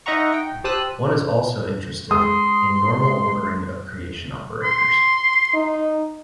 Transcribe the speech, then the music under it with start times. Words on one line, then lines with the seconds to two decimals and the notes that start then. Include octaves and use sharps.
One is also interested in normal ordering of creation operators.
0.06 D#4 D#5 E5 F#5 A#5 C#6
0.34 G5
0.64 G4 C5 A5 D#6 E6 F#6
2.11 G#3 C6 D#6
4.63 C6
5.54 D#4